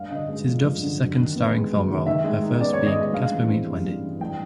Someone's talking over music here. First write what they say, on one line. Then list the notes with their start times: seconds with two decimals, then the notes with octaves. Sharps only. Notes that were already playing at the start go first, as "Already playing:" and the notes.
It is Duff's second starring film role, her first being "Casper Meets Wendy".
Already playing: G2 F5
0.10 D3 D#5
0.29 G#3
0.46 F3
0.63 G2
0.82 D3
0.99 F#2
1.17 D#3
1.36 B3
1.53 G#3
1.71 F#2
1.89 D#3
2.06 D#3 E5
2.24 G#3
2.42 D#4
2.60 B3 D5
2.73 C#5
2.78 D#3
2.86 D#5
2.95 G#3
3.13 G2 F5
3.31 E3
3.49 C4
3.66 G3
3.85 G2
4.02 E3
4.20 G2 G5